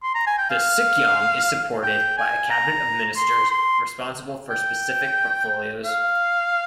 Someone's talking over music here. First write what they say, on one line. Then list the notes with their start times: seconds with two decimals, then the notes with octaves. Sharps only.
The Sikyong is supported by a cabinet of ministers responsible for specific portfolios.
0.03 C6
0.15 A#5
0.27 G#5
0.38 G5
0.50 F5
1.83 G5
2.17 G#5
2.50 A#5
3.17 C6
3.50 C6
4.50 G5
5.85 F5